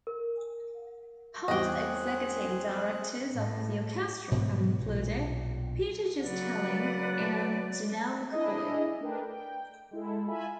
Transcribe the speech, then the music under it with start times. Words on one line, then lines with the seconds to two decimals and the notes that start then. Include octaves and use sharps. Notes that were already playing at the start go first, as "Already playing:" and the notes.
Past executive directors of the orchestra have included Peter Gistelinck and Janelle McCoy.
0.07 A#4
1.48 E2 G3 C4 G#4 D#5 G5 F#6
3.34 A2
4.31 G#2 B2 E3 F#3
4.78 B1 A#2
6.21 C#3 F#3 A#3 B4 D5 F#5
8.32 D4 E4 G#4 D#5
9.01 A3 D4 A#4 B4 G5
9.28 G5
9.91 G#3 E4 A4
10.27 F4 E5 G#5 B5